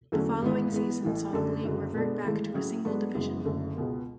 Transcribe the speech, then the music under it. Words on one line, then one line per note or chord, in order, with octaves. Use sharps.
The following season saw the league revert back to a single division.
E2 D3 F#3 A3 C#4
G#1 G#2 E3 G#3 B3
G#2 E3 B3
A1 A2 E3
F#2 D3 A3 D4 A4
F#1 F#2 D3 F#3
B2 G#3 B3 D4 A4
G#1 G#2 E3 A3
A2 F#3 C#4 E4 G#4
G#2 F#3 B3 D4 A4
F#1 F#2 E3 G#3 B3
F#1 F#2 D3 A3
C#2 B2 G#3 B3